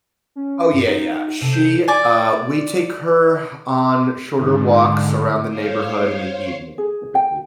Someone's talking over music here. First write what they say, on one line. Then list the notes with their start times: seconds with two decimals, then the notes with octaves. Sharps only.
Oh, yeah, yeah. She, uh we take her on shorter walks around the neighborhood, in the evening, typically.
0.36 C#4
0.73 G2
0.87 D#4
1.41 C3 A4 C7
1.53 G6
1.88 D5 G#5
4.33 G#2 D3
5.48 C5 C#5 F5
6.78 G#4
7.15 G5